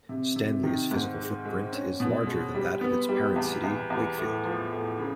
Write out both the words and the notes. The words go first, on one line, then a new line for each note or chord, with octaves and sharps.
Stanley's physical footprint is larger than that of its parent City Wakefield.
C3
C3
D#3
G#2
G#3
G#3
C#4
B2
G#3
G3
B3
G3
E2
E2
E2
A2
F3
A2
C#3